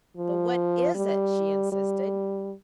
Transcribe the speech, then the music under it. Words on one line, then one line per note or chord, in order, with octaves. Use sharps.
"But what is it?" she insisted.
F3
G3
G3